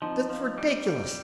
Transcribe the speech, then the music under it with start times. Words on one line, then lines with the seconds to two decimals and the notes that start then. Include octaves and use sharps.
That's ridiculous.
0.02 F3 C4 D#4
0.30 F3
0.58 G3
0.86 G3